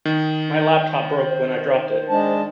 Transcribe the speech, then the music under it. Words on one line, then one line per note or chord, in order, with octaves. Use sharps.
My laptop broke when I dropped it.
D#3
C5
G#3 D4 A5